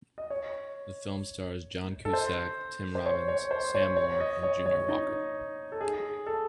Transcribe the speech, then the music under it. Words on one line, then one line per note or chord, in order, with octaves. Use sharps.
The film stars John Cusack, Tim Robbins, Sam Moore and Junior Walker.
D#5
C#5
A4
C5
C5
C#5
C#5
C5
C#5
C#5
D#5
C#5
C#5
D#4
A4
G#4
A4